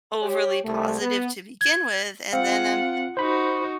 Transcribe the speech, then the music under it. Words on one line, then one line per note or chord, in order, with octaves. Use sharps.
overly positive to begin with, and then I'm
G4 C#5
C2 A3
B3
G#6
C4 F4 F5 F#5
D#4 F#4 C5 B5